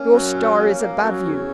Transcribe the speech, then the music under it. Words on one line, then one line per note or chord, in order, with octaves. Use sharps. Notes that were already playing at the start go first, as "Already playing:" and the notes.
Your star is above you.
Already playing: A#3 C#4
F#3
A#2
A#3
A#3
F#3 C#4
E2